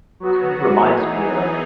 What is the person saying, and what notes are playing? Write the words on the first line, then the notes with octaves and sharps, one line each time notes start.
It kind of reminds me of
F#3 B3 F#4
E3 B3 D#4 G#4